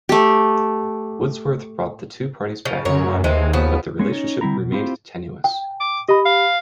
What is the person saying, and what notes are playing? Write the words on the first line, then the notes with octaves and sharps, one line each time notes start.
Woodsworth brought the two parties back in alignment, but their relationship remained tenuous.
A3 G4
C#3 F3
F#2 A#4 C#5
D#2 E3 G#3 C4
C#3 F3 B3
G#3 B3 C#4 G#4
C#4 D#4 C#5
D3 G3 C4 E4 A#5
B2
C4 E4 F4 G4 A#4 C5
G5
D6
G4 D#5 B5
F5